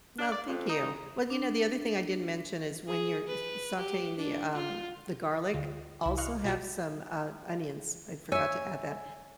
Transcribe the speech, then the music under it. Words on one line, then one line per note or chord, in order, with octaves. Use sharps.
Well, thank you. Well, you know, the other thing I didn't mention is when you're s sauteing the, um, the garlic, also have some, uh, onions. I forgot to add that.
D4
D5
F2
D#4
D4
G#4
B4
G4
D4
F4
D2 F4
C2 E4
D#5 F5 C#6 F6 F#6
B1 F4 F#4 D#5 A5 F#6
C#5 E5 G#5 E6